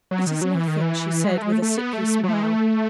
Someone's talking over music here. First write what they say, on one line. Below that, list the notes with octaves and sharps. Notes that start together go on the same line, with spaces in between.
'It is nothing,' she said, with a sickly smile.
F#3
D#3
F#3
E3
D#3
E3
G#3
F#3
A3
G#3
A3
A3
B3
A3
F#3
A3
G#3
A3